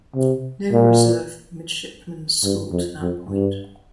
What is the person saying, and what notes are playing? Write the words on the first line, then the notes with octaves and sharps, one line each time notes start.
Naval Reserve Midshipmen's School to that point.
C3
A#2
G2
F2
F2
G2